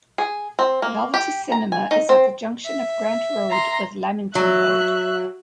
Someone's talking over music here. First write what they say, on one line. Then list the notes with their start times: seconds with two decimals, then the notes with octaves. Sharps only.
Novelty cinema is at the junction of Grant Road with Lamington Road.
0.18 G#4
0.59 C4
0.82 A#3
1.14 G4
1.52 A#5
1.72 G#5
1.91 D#4
2.09 C4
2.64 E5
3.51 A#5 C6
4.35 F#3 E5 F#6